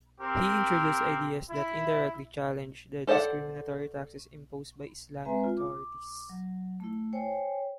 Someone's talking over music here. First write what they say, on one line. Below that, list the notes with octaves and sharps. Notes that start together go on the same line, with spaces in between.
He introduced ideas that indirectly challenged the discriminatory taxes imposed by Islamic authorities.
C4 G4 A#4
E4
A4 C5 D5 D#5 F#5
G#3 C4 B4 E5 G#5 A#5
F4
D6
F#3
A3 E4
C5 C#5 G5 G#5